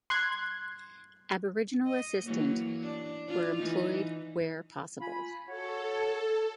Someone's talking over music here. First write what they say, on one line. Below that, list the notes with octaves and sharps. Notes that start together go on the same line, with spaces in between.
Aboriginal assistant were employed where possible.
C6 F#6 G#6
D#5
E3 F#3 A#3
D4
D4 F4
E3 D#4
F4 G#5 B5
F#4 A4 C#5